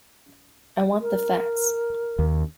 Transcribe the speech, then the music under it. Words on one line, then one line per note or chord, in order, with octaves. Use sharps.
I want the facts.
A#4
D#2